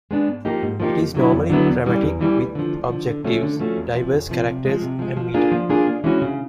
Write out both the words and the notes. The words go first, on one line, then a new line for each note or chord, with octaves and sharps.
It is normally dramatic, with objectives, diverse characters, and metre.
G#3 B3 D4
G#2
F3 A#3 D#4 G4
G#2
F3 A#3 D#4 G4
F2
D3 F#3 B3 E4
F2
D3 F#3 B3 E4
E2
C#3 E3 G3
E2
C#3 E3 G3
D2
D3 F3
D2
D3 F3
D3
F3 A3 C#4 F#4
D3
F3 A3 C#4 F#4
E2
C3 F3
E2
C3 F3
C3
F3 G#3
C3
F3 G#3
F3
A#3 D4 F4 G#4
F3
A#3 D4 F4 G#4
C#3
E3 G#3 C#4 F#4
C#3